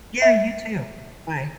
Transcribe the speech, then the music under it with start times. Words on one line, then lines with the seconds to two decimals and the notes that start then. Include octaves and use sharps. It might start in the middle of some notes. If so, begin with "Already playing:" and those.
Yeah, you too. Bye.
0.22 E5